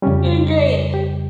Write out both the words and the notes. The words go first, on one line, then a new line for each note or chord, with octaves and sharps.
Doing great.
F2 C#3 G3 C#4
F4
G4